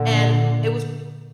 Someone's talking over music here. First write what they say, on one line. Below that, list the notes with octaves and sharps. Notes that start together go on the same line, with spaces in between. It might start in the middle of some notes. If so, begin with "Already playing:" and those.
and it was
Already playing: A#2 D3